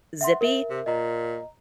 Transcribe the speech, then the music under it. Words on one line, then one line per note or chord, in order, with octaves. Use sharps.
eh, zippy.
E5 F#5 C6
A#4 E5
C3
A#2 D#5 A#5